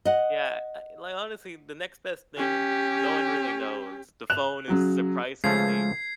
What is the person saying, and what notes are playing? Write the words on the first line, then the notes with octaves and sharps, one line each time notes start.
Yeah, e like, honestly, the next best thing, no one really knows. The phone is surprisingly
D#5 F#5
C#4 G4
F#6 E7 F7
C#3 F#3 F#4
C#3 F3 G#3 A3 G#6 C7